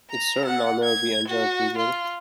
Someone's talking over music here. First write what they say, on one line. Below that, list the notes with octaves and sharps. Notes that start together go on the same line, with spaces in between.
It’s certain I’ll never be angelically good.
A#5
F#5
G#6
F#4
F4